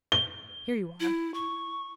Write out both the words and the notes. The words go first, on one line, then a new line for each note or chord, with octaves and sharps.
"Here you are!"
G7
E4
C#6